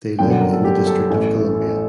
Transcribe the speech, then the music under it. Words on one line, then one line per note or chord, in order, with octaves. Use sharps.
They live in the District of Columbia.
G1 F#2 D3 G5
F#5
A#4
A4
G4
A4
A1 A2